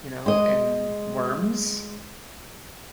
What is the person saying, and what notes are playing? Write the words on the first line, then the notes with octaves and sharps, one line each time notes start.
you know, and worms.
G#3 D#5